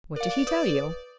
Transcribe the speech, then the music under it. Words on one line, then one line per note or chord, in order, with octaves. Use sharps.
"What did he tell you?"
A#4 D5 F5
B4 D#6